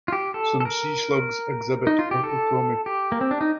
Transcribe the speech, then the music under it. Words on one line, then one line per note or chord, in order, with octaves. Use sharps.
Some sea slugs exhibit autotomy.
F4
G4
A4
A4
A#4
D#4
F4
G4
A4
G4
A#3
C4
D4
D#4